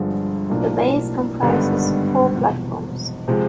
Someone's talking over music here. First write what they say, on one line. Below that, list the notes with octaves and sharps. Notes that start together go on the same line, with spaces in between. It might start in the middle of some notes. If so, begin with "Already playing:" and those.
The base comprises four platforms.
Already playing: G1 G2 D3 F3 G#3
B1 A2 F3 A#3 D4
G#1 G2 D3 G3 B3
E1 E2 C3 F3
C3 F3 G#3